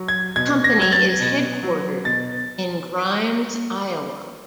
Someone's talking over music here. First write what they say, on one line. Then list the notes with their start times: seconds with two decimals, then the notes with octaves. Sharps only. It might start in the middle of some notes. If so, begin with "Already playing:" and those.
The company is headquartered in Grimes, Iowa.
Already playing: F#3
0.08 G#6
0.36 B2 G#6
0.64 A#6
0.78 F#3 G#6
0.92 A6
1.20 B2
1.63 F#3
2.04 B2 A6